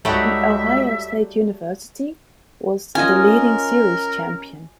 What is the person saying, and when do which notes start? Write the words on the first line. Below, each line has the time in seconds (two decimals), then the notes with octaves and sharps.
The Ohio State University was the leading series champion.
0.05 C#2 F#3 G3 A3 D#4 F#4 G4 E5
2.95 C#4 F4 A#4 D#5 G#5